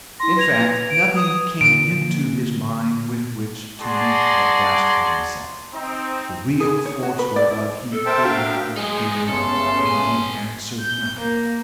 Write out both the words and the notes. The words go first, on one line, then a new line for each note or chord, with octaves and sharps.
In fact, nothing came into his mind with which to meet what Bascombe said--the real force whereof he could not help feeling--and he answered nothing.
E4 C6 A#6
B4 G#6 F7
D7
D#6
A#2 D3 E3 D7
F#4 G#4 D5 A5 A#5 C6
C4 D#4
G#4
C#5
F#4
B4
D5
E4
A4
A#4 C5 E5 G5 A5
D4 F#4 F5
E3 G#3 D#4 G#4
G1 C#3 A3 B3 C#4 A4 C6
D4 G#5
G6
A#3